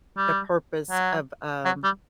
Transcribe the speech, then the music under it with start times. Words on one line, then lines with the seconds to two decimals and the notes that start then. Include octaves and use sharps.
the purpose of, um
0.17 G3
0.91 F#3
1.65 F#3
1.84 G3